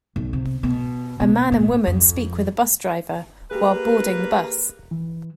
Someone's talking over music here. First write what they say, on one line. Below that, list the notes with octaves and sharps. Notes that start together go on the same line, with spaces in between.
A man and woman speak with a bus driver while boarding the bus.
B1
C3
B2
B2
A#2
F2
A#3 G4 G#4 B4
E3